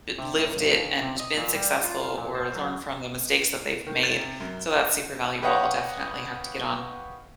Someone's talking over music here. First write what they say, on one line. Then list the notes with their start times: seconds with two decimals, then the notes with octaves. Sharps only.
i lived it and been successful or learned from the mistakes that they've made, so that's super valuable, I'll definitely have to get on
0.18 C3
0.37 A2
0.57 G1
0.72 D#2
1.02 C3
1.20 D#5
1.37 A#2
1.55 G3
1.84 F4
2.18 A#2
2.35 C5
2.55 F#3
3.87 D#3
4.03 A6
4.17 C3
4.40 F#2
5.42 G4 B4 C#5 D#5 F5 F#5